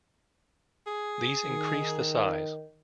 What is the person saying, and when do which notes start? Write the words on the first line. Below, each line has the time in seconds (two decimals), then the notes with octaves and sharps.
These increase the size.
0.87 G#4
1.47 D#3